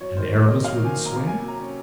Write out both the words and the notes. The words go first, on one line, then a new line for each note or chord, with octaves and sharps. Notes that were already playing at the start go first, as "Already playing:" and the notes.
"And Aramis wouldn't swear?"
F#3 C#5
D#3 C5
A#3 C#5
C3 D#5
F#3 F5
D#3
G#5
A#3
A#5
C3
A#3 G#5
F#3 A#5
C#4